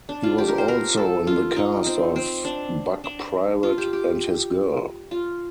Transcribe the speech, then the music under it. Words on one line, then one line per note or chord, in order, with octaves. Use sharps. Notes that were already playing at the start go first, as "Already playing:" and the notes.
He was also in the cast of "Buck Private and His Girl".
D4
F4
G4
A#4
C5
A#4
A4
F4
D#4
C4
C4
D4
D4
F4
G4
G4
F4